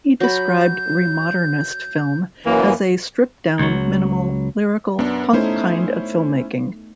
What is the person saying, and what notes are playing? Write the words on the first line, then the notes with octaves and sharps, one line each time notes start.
He described Remodernist film as a "stripped down, minimal, lyrical, punk kind of filmmaking".
F#3 B5 G6
F#2 E3 A#3
C#2 F#3
F#2 B3 D4
A3 C#4 D#4 E4 C5